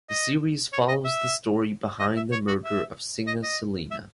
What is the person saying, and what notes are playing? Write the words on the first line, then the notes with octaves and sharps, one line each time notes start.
The series follows the story behind the murder of singer Selena.
D#5
C#5
D#5
E5
D#5
E5
C#5
F#4
E5
D#5
D#5
E5